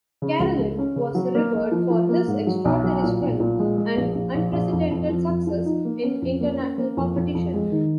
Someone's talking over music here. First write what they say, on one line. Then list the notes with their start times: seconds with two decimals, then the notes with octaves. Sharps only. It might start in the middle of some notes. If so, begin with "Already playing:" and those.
Karelin was revered for his extraordinary strength and unprecedented success in international competition.
0.22 C#3
0.40 C#2
0.59 C#2
0.78 C#4
0.96 C#3
1.15 F#3
1.35 A#3
1.53 A#3
1.72 F3
1.90 F3
2.09 A#3
2.27 G#2
2.47 F#3
2.65 B1
2.84 F#3
3.03 A#2
3.21 B1
3.40 A#2
3.59 G#3
3.77 G#3
3.97 A#1
4.15 A#1
4.35 A#1
4.53 A#1
4.72 F2
4.91 F2
5.09 F3
5.28 F2
5.47 F3
5.65 D#4
5.85 A#3
6.03 C#4
6.22 F2
6.41 A#3
6.59 C#4
6.78 A#3
6.97 F2
7.16 F2
7.35 F2
7.54 G#3
7.72 D#3